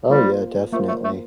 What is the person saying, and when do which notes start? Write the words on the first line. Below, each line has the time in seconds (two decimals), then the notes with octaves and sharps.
Oh, yeah. Definitely.
0.09 G3 A#3 F4 C5
0.72 A3 A#3 F4 C5
0.88 A3
1.04 A3